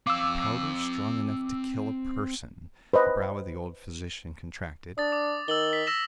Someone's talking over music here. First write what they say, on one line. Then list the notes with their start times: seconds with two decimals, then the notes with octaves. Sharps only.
"A powder strong enough to kill a person?" The brow of the old physician contracted.
0.07 C4 F5 D6 E6
2.93 B4 C5 D#5
4.98 D4 D#6 A6
5.12 D6
5.48 D#3 E6 F#7 G7
5.73 B6
5.87 E6 A#6 E7